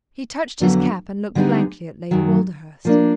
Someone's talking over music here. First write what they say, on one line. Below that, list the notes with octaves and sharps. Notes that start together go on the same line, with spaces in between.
He touched his cap and looked blankly at Lady Walderhurst.
F2 D3 F#3 B3 D4
D3 G3 B3 D#4 G#4
F#2 D#3 F#3
F3 A#3 D4